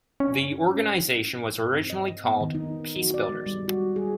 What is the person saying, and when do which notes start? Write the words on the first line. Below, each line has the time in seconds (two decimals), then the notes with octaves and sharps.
The organization was originally called "Peacebuilders".
0.20 C#4
1.73 C4
1.90 D#5
2.25 B3
2.41 D#3
2.54 D#4
2.96 F#4
3.14 D5
3.29 G#3
3.46 G3
3.68 F#4
3.96 G#4